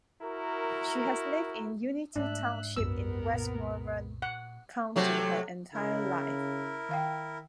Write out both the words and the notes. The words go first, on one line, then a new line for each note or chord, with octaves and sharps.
She has lived in Unity Township in Westmoreland County her entire life.
E4 F#4 A#4
G#2 A3 D4 E5 F#6
C2 F#2 B3 A#4 E6
A#2
F#5
C3 F#3 A3
C#3 E4 A#4
D#3 F5 G5